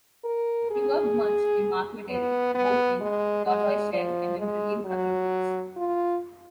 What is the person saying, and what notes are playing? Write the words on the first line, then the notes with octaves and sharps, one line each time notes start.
He worked much in marqueterie, both in tortoiseshell and in brilliant colored woods.
A#4
G#4
B3
B3
G#3
G#3
F3
G#3
F#3
F4